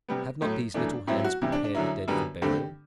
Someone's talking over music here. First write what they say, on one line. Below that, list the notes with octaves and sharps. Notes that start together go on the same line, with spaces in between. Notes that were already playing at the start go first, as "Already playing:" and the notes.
Have not these little hands prepared the dead for burial?
C3 G3 B3
A2 F#3 A3
F#2 E3 A3 D4
A2 F#3 C4 E4
E4
F#4
C3 E3 G3 E4
D4
D4
F#2 D3 F#3 E4
F#2 D3 G3 B3
G2 D3 A3 C4 G4